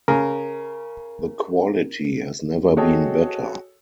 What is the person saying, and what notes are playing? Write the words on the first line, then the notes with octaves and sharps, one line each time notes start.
The quality has never been better.
C#3 A#4
F#4 G#4 A4 C#5 D#5 G5